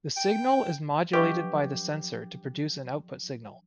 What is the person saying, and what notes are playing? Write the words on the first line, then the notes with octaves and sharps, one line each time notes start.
The signal is modulated by the sensor to produce an output signal.
G5
F3 F#3 D4 G4 B4 D#5 C#6